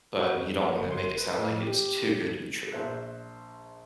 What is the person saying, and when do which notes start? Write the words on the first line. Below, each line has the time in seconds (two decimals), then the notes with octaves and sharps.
But you don't want to make it sound like it's too good to be true.
0.16 F#4
0.36 F2
0.62 A#3
0.80 G1
0.92 C6
1.18 B4
1.38 A2
1.63 G4
2.72 A#1 C5 E5 F#6